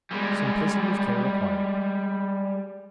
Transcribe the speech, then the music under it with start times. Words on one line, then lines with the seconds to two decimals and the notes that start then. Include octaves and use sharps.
Simplicity of care required.
0.11 G3 G#3